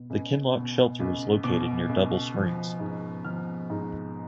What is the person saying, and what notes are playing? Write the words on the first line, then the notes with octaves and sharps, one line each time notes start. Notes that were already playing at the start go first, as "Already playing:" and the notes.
The Kinlock Shelter is located near Double Springs.
Already playing: B2
C#2
B2
C#2
B2 D6
C#2
F3
G#2
F3 F6
G#2